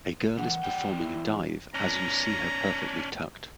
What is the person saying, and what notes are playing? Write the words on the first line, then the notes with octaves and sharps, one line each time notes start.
A girl is performing a dive as you see her perfectly tucked.
C#3 E3 F#5
E2 D5 G5
E4
C#4 D4 A#5